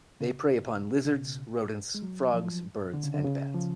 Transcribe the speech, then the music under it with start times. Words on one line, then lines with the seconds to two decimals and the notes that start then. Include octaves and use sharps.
They prey upon lizards, rodents, frogs, birds, and bats.
0.21 C#3
1.05 C#3
1.12 B2
1.94 G#3
2.02 F#3
2.33 F3
2.94 D3
3.04 C#3
3.14 D3
3.24 C#3
3.54 F3